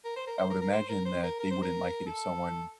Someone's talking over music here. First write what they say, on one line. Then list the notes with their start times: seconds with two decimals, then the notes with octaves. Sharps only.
I would imagine that they wouldn't like it if someone
0.05 A#4
0.16 C5
0.27 A#4
0.38 C5
0.50 A#4
0.62 A#4
0.72 C5
0.89 A#4
1.05 C5
1.23 A#4
1.39 A#4
1.51 C5
1.62 A#4
2.06 A4